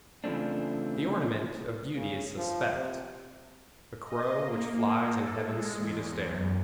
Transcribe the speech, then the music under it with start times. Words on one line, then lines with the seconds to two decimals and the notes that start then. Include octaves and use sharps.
The ornament of beauty is Suspect, A crow which flies in heaven's sweetest air.
0.24 C#3 E3 F3 A3 C4 D4
1.95 C#3
2.37 F3
2.75 C3
4.04 D#5
4.36 A#3
4.71 A#3
5.08 A4
5.41 G#3
5.77 E2
6.24 F#2